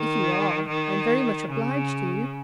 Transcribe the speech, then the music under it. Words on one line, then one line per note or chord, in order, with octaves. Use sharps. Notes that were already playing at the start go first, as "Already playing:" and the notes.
If you are, I'm very much obliged to you.'
Already playing: D#3
D#3
C#3